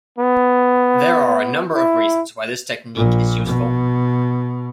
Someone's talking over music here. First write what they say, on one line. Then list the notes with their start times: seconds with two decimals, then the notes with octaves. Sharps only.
There are a number of reasons why this technique is useful.
0.18 B3
1.75 E4
2.95 A#1 A#2
3.46 B2